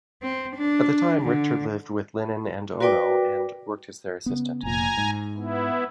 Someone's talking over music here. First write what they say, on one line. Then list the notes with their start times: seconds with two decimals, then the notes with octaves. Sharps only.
At the time, Richter lived with Lennon and Ono and worked as their assistant.
0.22 C4
0.56 D4
1.22 D3
2.80 F#4 A#4 B4 D5 G5 D6
4.26 C#3 B3
4.63 F1 A#2 G#5 A#5
4.97 G#2
5.37 B3 E4